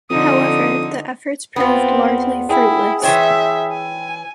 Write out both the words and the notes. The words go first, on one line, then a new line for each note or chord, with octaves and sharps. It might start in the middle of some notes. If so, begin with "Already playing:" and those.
However, the efforts proved largely fruitless.
F2 D3 D#4 D#6
E2 B3 C4 F4
E4 G#4 G5
E3 C5 C#5 E5 G5
G#5